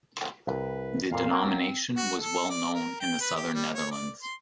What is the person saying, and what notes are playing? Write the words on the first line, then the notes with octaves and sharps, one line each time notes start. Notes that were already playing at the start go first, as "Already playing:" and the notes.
The denomination was well known in the Southern Netherlands.
C2 B4
F2 A#2 F5
F#3 A#3 C4
F#4
A4
D5
A#4
G5
B4
G4
G3
C#5
D5
C6